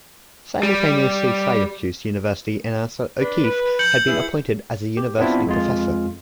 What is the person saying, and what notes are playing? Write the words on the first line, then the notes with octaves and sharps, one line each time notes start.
Simultaneously Syracuse University announced that O'Keefe had been appointed as a University Professor.
G3
D4 B4
B4
G6 C#7 F#7
E3 E4 G#4
G4
B3 C4 D4 E4 F4
F2 G#3 F4